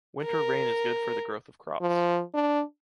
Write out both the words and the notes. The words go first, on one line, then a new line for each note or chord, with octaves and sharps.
Winter rain is good for the growth of crops.
A#4
F3
D4